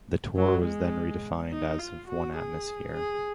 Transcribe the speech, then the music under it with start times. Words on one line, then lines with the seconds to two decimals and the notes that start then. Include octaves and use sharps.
The torr was then redefined as of one atmosphere.
0.36 F#3
0.65 G#3
1.51 D#4
1.79 F4
2.08 F#4
2.36 G#4
2.94 G#4